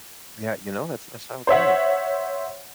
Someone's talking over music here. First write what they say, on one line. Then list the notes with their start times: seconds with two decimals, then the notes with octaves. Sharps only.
Yeah, you know, that's that's how it goes.
1.47 C5 C#5 E5 F#5